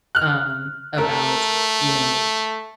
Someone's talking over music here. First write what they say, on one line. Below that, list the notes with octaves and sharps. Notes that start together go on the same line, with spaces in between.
Um, about, you know,
F6 F#6
A3 A#4